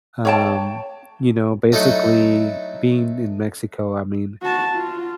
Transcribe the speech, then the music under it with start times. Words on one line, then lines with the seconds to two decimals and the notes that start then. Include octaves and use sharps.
Um, you know, basically, being in Mexico, I mean,
0.25 C#5 G5 A5
1.72 F#3 A3 D#4 E4 A4
4.42 F#4 A5
4.76 F4